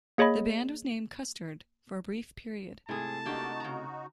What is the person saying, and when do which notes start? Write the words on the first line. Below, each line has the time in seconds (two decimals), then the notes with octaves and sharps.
The band was named Custerd for a brief period.
0.18 A#3 G#4 C#5 D#5 B5
2.89 G#2 C3 A3 E4 G#4 A5
3.25 A#3 D4 D#4 F#4 G4
3.60 C#3 A#5